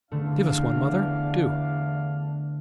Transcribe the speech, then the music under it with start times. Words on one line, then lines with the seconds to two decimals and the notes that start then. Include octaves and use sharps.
"Give us one, mother; do."
0.11 E2 D3 A3 D4 F5